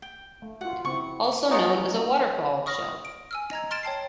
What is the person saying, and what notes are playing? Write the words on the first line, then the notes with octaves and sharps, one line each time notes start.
Also known as a waterfall shell.
G5
A3
F4 F#4 F#5
C#3 C4 E4 C#6
B2 G#3 C#4 D#4
C#6 D#6 F6 A#6
D7
G#5 E6 F6
D#5 A#5 G#6
C6 F6 A6 D7 E7
C#5 G5 A5 C7